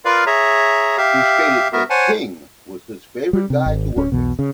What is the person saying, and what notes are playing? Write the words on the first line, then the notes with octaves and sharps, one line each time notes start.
He stated that King was his favorite guy to work with.
F4 A#4 B4 D5 F5
G#4 C#5 E5 A#5
G4 E5 F5
B3 F#4 A#4 E5
C5 C#5 F#5 G#5 A5
G3
C3
G#1
D1 C#4
B1 E2 B2
C#3